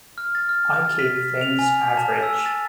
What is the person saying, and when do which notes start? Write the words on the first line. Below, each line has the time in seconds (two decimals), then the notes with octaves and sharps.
I keep things average.
0.18 F6
0.35 A6
0.49 F6
0.85 A6
0.99 B6
1.41 F7
1.59 G#5
1.85 B6
1.97 A5
2.23 E6
2.46 A6